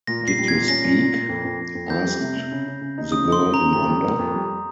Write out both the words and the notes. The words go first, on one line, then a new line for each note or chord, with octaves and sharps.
Did you speak? asked the girl, in wonder.
A#2 A#6
A#2 C7
G3
A#2 G#6
C#4 A#6
A#2
A#2
A#2
F2
F2
F2
F2
F2 G6
G3
C3
C3
C#3
C#3
C#3
D#4
C#3 D#6
D#4 C6
C#3
C#3 A#5
F2 A#5
G3
A#3
F2
G3